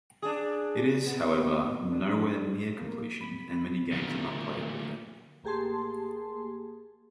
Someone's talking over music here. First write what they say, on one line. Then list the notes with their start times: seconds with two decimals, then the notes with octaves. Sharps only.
It is, however, nowhere near completion and many games are not playable yet.
0.22 D4 G#4
1.06 B3
1.91 D4
2.78 A#3
3.21 B5
3.92 D2 A#2
5.44 A1 A#3 G4 G#4 A5 C6